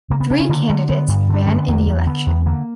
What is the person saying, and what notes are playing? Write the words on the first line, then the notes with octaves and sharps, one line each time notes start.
Three candidates ran in the election.
C#3 A#3
B3
C#3 D4
C#4
D3 A#3
D3
D3 B3
G2
D3 D4
D3 C#4
B3
E2 A#3
E2
D3 B3
E2
D3 A#3